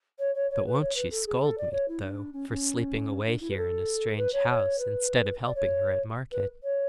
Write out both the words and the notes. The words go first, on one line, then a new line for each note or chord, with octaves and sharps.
But won't she scold me, though, for sleeping away here in a strange house, instead of helping her at market!'
C#5
C#5
C#5
B4
C#5
B4
A4
G#4
A4
D5
C#5
E4
D4
C#4
C#4
D4
E4
B4
A4
B4
C#5
C#5
B4
D5
C#5
B4
C#5